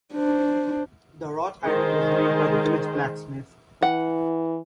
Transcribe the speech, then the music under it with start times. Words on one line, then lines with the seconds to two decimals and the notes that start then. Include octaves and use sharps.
The wrought iron was made by the village blacksmith.
0.14 D4 C5
1.64 D#3 G#3 G#4 C5
3.82 E3 F#5